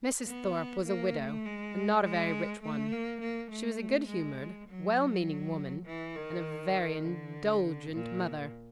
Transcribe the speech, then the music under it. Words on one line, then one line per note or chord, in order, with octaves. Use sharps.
Mrs. Thorpe was a widow, and not a very rich one; she was a good-humoured, well-meaning woman, and a very indulgent mother.
B3
A#3
A3
G#3
G#3
A3
A#3
A#3
A3
G#3
F#3
E3
D#3
D3
A#2